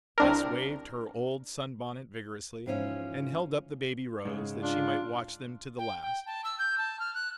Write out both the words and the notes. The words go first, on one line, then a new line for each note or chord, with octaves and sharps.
Bess waved her old sun-bonnet vigorously, and held up the baby Rose, that she might watch them to the last.
C2 D4 A#4
G#2 E3 F3 G#3 C#4 E5
G#2 C#3 G#3
D4 F4
G5
G5
A5
E6
G6
A5
F6
F#6